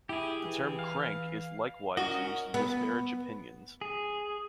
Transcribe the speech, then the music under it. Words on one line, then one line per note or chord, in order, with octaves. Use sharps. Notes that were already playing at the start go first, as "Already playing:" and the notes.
The term crank is likewise used to disparage opinions.
E4 G4 G#4
E3
F5
C#4 F#4 A#4 D#5
B3
G#4